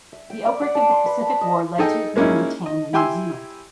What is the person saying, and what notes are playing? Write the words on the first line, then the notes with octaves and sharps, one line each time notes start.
The outbreak of the Pacific War led to it being retained in New Zealand.
E5
G5
D5
F#5
A5
C6
B4
A5
D#5
D#4 G#4 A4 D#5 G5 G#5
G#3 A#3 C#4 D#4 E4
D#5
E4 G4 G5 G#5 C6 E6